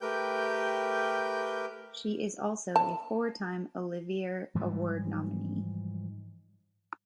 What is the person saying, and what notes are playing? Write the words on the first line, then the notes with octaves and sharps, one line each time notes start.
She is also a four-time Olivier Award nominee.
A3 G4 A#4 B4 G5 G6
A5
G#2 E3 F3 G3